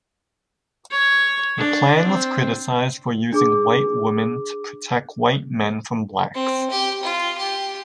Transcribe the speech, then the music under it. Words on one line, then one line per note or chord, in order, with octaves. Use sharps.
The plan was criticized for using white women to protect white men from blacks.
C#5
D4
C4
D4 G#4 D6
C4
G4
F4
G4